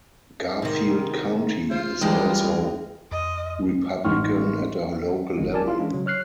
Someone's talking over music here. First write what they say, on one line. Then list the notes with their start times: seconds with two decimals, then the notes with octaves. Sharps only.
Garfield County is also Republican at a local level.
0.62 G#2 C3 D#3
1.71 F4 C5
2.01 D2 D3 E3 G3 G#3 G5
3.11 F2 D#5
4.05 A1 D#4 F#5 C6 C#6 F6
5.38 G1 D#3 G#3
5.54 A#4 D5 G#5 A5
5.65 E4 F4 F5
5.78 E3 G#3 C#4 D4
5.93 C#3 F#3
6.06 C#5 F6 F#6 C7